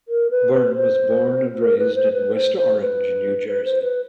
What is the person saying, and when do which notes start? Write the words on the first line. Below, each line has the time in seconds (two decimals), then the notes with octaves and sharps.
Byrne was born and raised in West Orange, New Jersey.
0.08 A#4
0.31 B4
0.53 B4
0.76 C5
1.60 A#4
1.78 B4
1.95 C5
2.12 B4
2.35 C5
2.57 C5
2.80 B4
3.48 B4
3.65 C5
3.82 B4